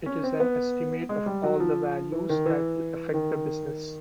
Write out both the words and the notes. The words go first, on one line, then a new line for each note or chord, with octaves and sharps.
It is an estimate of all the values that will affect the business.
C#4
C4
B3
G#3
G3
F#3
F3
E3
D#3
E3
D#3